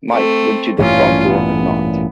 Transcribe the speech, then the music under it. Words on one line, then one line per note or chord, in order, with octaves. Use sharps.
Mike went to the front door and knocked.
A3 C4
A1 G2 A#2 C#4 F4
B3